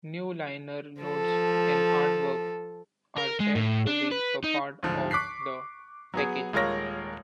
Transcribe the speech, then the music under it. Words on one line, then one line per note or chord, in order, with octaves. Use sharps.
New liner notes and artwork are said to be a part of the package.
F3 A4
A#4
G#3
A2
D4
B4
D#4
D2 G#2 F3
C#6 D6 F#6 B6 C7
F#3 B3 G#4
D#1 G#3 F4 A#4 C#5 A#6